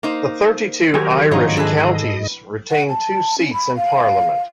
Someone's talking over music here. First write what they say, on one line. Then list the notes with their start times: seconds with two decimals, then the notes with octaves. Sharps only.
The thirty-two Irish counties retained two seats in Parliament.
0.03 A#3 D#4 C5
0.94 D#2 F#3 C4 G4 A#4 G#5
1.31 G#2 D3 F3 A#3 D#4 C#5 D#5
1.57 D4 E4 G#4 A4 B4
2.70 F#5
2.89 A5
3.38 C#4
3.53 B5
3.76 F5